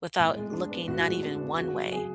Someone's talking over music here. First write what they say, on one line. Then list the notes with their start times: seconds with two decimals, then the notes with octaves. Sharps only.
without looking not even one way.
0.19 A2
0.36 G#3
0.53 D4
0.71 B3
0.88 A2 F#4
1.05 G#3
1.23 D4
1.40 B3
1.57 C#3 F#4
1.74 F#3
1.92 C#3 G#4